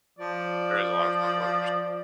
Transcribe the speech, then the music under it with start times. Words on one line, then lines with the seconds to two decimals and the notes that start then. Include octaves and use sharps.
There is a lot of foreclosures.
0.19 F3 D5